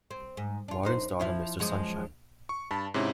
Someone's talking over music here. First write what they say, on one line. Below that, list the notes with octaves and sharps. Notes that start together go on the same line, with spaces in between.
Martin starred on "Mr. Sunshine".
C4
G#2
D4 F4
F#2 D#4 C5
F3 E4 F4
F#2 F3 G#3
C#6
G2 A5 B5
G#2 C3 C#4 E4